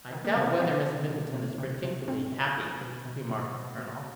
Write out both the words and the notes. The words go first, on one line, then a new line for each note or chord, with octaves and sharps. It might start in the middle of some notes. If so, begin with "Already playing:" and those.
"I doubt whether Miss Middleton is particularly happy," remarked the colonel.
D#3
A#3
C3
B2 B3
B2
B2
C3
C3
C3
B2 C4
B2
B2
B2
B2
B2
B2
B2